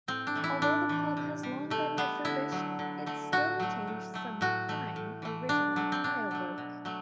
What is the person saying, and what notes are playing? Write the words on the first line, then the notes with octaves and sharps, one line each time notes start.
Although the pub has long been refurbished, it still retains some fine original tilework.
A2 C4
D4
E3 A3
E4
A2 D4
E3 A3
C3
G3
C3 A3
G3 B3
D3 E4
F#3 A3
D3
F#3 A3
A2 F#4
F#3 A3
A2
F#3 A3
A2 F#4
E3 A3
A2
E3 A3
B2 D4
F#3 A3
C4
B2 D4
F#3 A3
B2
F#3 A3